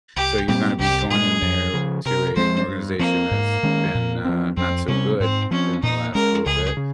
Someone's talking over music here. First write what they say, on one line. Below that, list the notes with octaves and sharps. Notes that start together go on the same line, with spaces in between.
so you're gonna be going in there to a an organization that's been, uh, not so good in the last little bit,
C2 G4
A#2 G3 C4 G4
C2 G4
A#2 G#3 G#4
F2
C#3 F3
C3 A#4
F3 G#3 C4 C5
G2
F3 A#3 C4
G#2
D#3 G#3 C#4
A#2
F3 C4
F2 C4
C3 G3 C4 C#4
G#2 C4
F3 C4 C#4
A#2 D#4
G#3 C#4 A#4
C#2 G#4
C#3